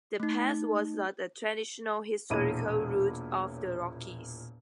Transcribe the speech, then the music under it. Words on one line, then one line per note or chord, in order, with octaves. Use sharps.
The pass was not a traditional historical route of the Rockies.
A3 D#4
E1 A#2 E4 C#5 D6 D#7